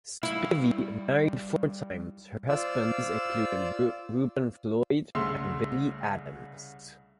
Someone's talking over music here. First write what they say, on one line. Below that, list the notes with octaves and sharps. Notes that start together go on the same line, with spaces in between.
Spivey married four times; her husbands included Ruben Floyd and Billy Adams.
G3 E4 F5
F4 C5 D5 E6
C2 C#3 A3 C6 E6